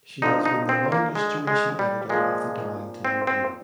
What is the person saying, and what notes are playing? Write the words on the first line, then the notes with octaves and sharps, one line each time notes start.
She has been the longest duration editor of the "Darlington Review".
G2 D3 F3 D#4
D#4
C4
A#3
G#3
G#3
G3
A#2 F3 G#3
C4
C4